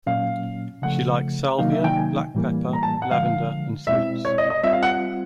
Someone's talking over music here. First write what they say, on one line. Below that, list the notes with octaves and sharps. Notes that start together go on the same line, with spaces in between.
She likes Salvia, black pepper, lavender and sweets.
A#2 F#3 A#3 C#4 F5
C#3 F3 A3 F#5
C3 D#3 F#3 A#3 D#4 F5
E5
G5
G#5
A2 E3 G3 A#3
A#5
A5
F#5
D3 F3 G#3 F5
B2 G#3 C4 E4 E5
C#5
D#5
D#5
G3 C4 F4 E5
F5
F#5